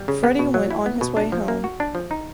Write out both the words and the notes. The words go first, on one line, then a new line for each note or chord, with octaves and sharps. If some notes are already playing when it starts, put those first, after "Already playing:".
Freddie went on his way home.
Already playing: G3
C#3
B3
B2
F#3
E4
B3
B2
D4
F3
A#3
F#4
D4
F3
D#4